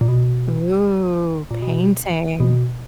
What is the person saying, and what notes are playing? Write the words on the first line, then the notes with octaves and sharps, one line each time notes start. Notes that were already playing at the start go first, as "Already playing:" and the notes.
Ooh, painting.
A#2
B2
A#2
B2
B2